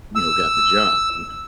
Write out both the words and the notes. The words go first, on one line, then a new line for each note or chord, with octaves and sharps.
you know, got the job, you know
E6